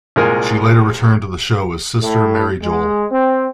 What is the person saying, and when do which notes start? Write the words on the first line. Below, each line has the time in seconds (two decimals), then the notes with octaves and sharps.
She later returned to the show as Sister Mary Joel.
0.16 C2 A#2 G#3 A#4 G#5
2.02 A2
2.63 G#3
3.10 C4